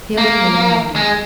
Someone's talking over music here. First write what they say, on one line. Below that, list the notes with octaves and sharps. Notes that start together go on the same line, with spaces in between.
Beardy Ned nodded.
A#3
G#3